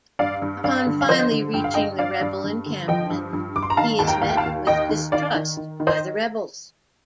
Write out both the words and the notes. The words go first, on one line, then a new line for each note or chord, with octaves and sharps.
Upon finally reaching the rebel encampment he is met with distrust by the rebels.
G2 D5 F5
G2
G2 D5 F5
D3
F5
F3 C5 D#5
D3
G2 G5
F5
G2 D#5 G5
G2 D5 F5
G2
G2
D3
F3 D#5 G5
G2
G2
G2 D6
C6
A#5
D#3 F5 A5
D#2 A5
G5 A#5
D#2 F5
G5
F5 A5
D#2
D#2 D#5 G5
D#3
D#3 D5 F5
D#3
D#3
D#3
C5 D#5